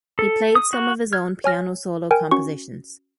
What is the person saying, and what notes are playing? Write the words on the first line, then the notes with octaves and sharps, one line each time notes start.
He played some of his own piano solo compositions.
A4
D#6
F#4
F6 G#6
C#5 G#5 F6 A#6
A#4 G5 G#5
C#4 F#4 C#6